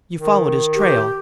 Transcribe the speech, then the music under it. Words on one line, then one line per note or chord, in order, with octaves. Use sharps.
"You followed his trail?"
D#3
G4